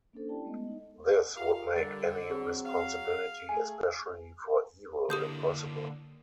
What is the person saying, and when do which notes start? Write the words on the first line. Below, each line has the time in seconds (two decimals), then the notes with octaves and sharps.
This would make any responsibility, especially for evil, impossible.
0.13 A#3 C#4 D4 A4 C5
0.29 C#4 E4 G4 D5 G5 A5
0.45 G#3 A3 B3 D#5
0.64 D#4 D#5
1.37 F4 G4 A#4 F5
1.76 D3 G3 A6
2.30 F#3 C4 G#4
2.65 F5
3.49 A3 G#4 G#5
5.10 D3 A#3 E4 G4 D#6 G6